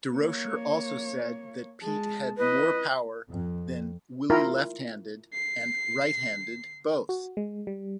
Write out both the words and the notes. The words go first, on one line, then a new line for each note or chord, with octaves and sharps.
Durocher also said that Pete had more power than Willie-left-handed and right-handed both.
A#3 C#5
G#3 A5
E4 B4 D#5
F2
E4 F4 A#4
C7
F#4
G#3
G3